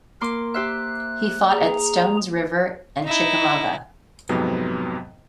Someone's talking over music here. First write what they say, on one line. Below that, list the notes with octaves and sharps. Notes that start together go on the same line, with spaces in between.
He fought at Stones River and Chickamauga.
A#3 A#4 C6 D6
G4 C5 E5 F#6
G#4 A#5
D#4 E4
F2 G#2 C3 F#3 B3